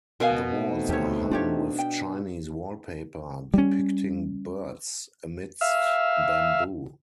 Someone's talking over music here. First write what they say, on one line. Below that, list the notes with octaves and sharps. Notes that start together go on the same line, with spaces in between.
The walls are hung with Chinese wallpaper depicting birds amidst bamboo.
B2 A#4 D#5 F5 G#5
A3 C4 D#4
D2 G4 C#5
C#4 D4 F4 G4 C#5
G5
G3 C#4
E5 F5